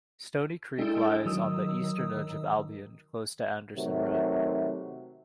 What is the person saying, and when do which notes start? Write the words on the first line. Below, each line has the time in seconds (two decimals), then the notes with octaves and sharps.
Stony Creek lies on the eastern edge of Albion, close to Anderson Road.
0.78 G#3 D4 E4 A4 G5
1.26 D#3 F#3 D#6 E6
3.77 C3 D#3 F#3 A3